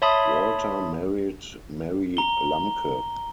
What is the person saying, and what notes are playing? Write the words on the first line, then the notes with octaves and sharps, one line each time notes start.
Walter married Mary Lamke.
C#5 E5 A5 B5 C6 D#6
A#5 G7